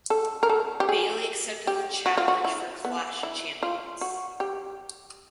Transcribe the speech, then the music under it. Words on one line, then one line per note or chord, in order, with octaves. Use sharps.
Bayley accepted the challenge for Clash of Champions.
A4
A#4
A4
G4
G#4
G4
F#4
F4
F#4
E4
B3
E4
F4
F#4
G4